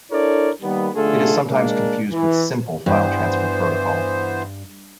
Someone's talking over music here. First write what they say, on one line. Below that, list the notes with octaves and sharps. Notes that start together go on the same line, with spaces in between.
It is sometimes confused with Simple File Transfer Protocol.
D4 E4 A4 A#4 C#5 D5
D#3 G3 A#3 B3
B1 D3 A3 F4 G#4 A4
G#3 A#3 D4
E3
G2 E3 B3 C5